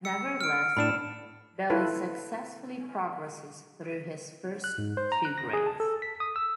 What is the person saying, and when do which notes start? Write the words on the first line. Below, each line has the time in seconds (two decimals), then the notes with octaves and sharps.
Nevertheless, Billy successfully progresses through his first two grades.
0.05 E6 C#7
0.41 F6 D7
0.77 A2 D4 B5 E7
1.70 E4 F4 A4 B4 C#5
4.64 F#6
4.78 G#2
4.97 C5
5.12 A#5
5.25 F#6
5.38 A#6
5.53 G#4
5.66 A5
5.80 A4
6.02 B6
6.20 D#6
6.36 E6